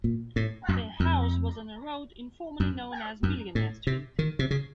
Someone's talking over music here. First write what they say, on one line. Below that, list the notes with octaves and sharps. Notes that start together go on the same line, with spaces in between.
Their house was on a road informally known as "Millionaire Street".
A#2
A2
F#2
F2
F#2
F#2
A2
C3
D#3
C3
C#3